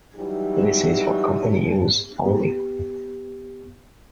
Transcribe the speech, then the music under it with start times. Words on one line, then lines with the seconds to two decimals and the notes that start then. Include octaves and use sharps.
This is for company use only.
0.16 E3 F#3 G3 D#4 G4
2.26 B3 G4